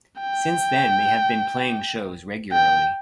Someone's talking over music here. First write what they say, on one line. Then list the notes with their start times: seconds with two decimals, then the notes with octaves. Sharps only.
Since then they have been playing shows regularly.
0.21 G5
2.52 G5